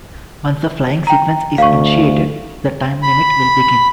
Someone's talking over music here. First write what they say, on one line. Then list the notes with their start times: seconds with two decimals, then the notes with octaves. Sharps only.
Once the flying sequence is initiated, the time limit will begin.
1.07 G5 A#5
1.58 D2 F5 C#6
3.03 B5